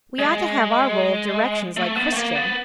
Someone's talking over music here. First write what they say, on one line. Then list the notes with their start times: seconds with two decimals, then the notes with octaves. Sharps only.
We ought to have our roll of directions, like Christian.
0.19 G#3
1.77 A3
1.96 B3
2.12 A3
2.16 A#3
2.35 B3